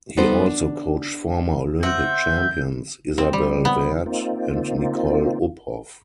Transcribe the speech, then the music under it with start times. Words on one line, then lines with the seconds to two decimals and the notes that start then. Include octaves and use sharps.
He also coached former Olympic champions Isabell Werth and Nicole Uphoff.
0.17 G3 B3 D#4 A4 C5
0.46 D4
1.83 C4 E5 F#5 G6
3.18 C4
3.33 G3
3.65 B3
4.06 A#3 C4 D#4 F4